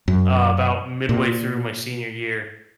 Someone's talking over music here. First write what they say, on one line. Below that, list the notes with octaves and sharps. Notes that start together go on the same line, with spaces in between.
uh, about midway through my senior year.
F#2
A#2